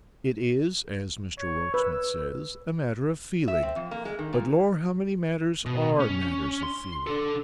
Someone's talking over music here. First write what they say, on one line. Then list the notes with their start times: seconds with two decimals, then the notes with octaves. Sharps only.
It is, as Mr Rokesmith says, a matter of feeling, but Lor how many matters ARE matters of feeling!
1.39 C#5
1.74 B4 E6
3.48 E5
3.63 C4
3.76 F2
3.91 A#3
4.05 G#3
4.19 D#3
4.33 A#2
5.66 B2
6.00 C#4
6.63 C6
7.07 D4 A4